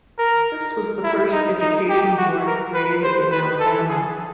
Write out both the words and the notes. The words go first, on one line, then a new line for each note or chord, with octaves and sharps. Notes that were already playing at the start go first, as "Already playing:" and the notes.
This was the first education board created in Alabama.
A#4
E4
D#4
D#4
G4
F#4
A#4
B4
C5
B4
A4
G#4